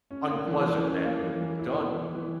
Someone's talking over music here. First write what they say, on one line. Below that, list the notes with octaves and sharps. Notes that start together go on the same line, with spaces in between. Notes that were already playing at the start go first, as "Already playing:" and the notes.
unpleasant then, but if it's done
C#4
A#3
E3
E3
C#4
A#3
E3
E3
E4
B3
E3
E3